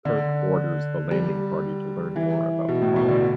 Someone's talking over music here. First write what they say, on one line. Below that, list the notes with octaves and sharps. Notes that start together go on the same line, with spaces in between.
Kirk orders the landing party to learn more about the colony.
D3
G3
E3
B2
A2
B2
D3